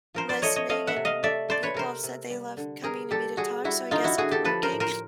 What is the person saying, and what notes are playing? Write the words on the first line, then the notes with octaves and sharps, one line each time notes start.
listening, and people have said they love coming to me to talk, so I guess it's working.
F3 A#4 C5
C5 D5
A3 C#5 D#5
C#5 D#5
A3 D#5 F5
E5 F#5
C3
D#5 F5
A3 D5 E5
A3 C5 D5
B4 C#5
C3 A#4 C5
C3
G3
D3
G3 G#4 A#4
G3 G4 A4
G3 F#4 G#4
G3 E4 F#4
D3 D#4 F4
E4 F#4
D3 F#4 G#4
G4 A4
F3 A4 B4
A#4 C5
A2
A#4 C5